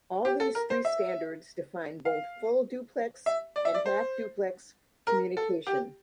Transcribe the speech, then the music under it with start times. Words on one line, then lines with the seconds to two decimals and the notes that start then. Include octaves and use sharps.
All these three standards define both full-duplex and half-duplex communication.
0.25 G4
0.40 A4
0.55 A#4
0.70 C5
0.85 E5
2.05 F5
3.26 E5
3.56 D5
3.65 E5
3.74 D5
3.86 C5
5.07 A#4
5.37 A4
5.67 G4